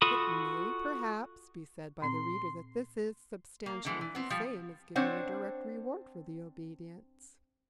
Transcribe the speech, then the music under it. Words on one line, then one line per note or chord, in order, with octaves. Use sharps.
It may, perhaps, be said by the reader that this is substantially the same as giving a direct reward for the obedience.
F4 F#4 A4 B5 D#6
A#2 C4 C6
A#3
D3 E3 G#3 B3
E3
B3 C4
F3 G3
C4 D4 C5 C#5 F#5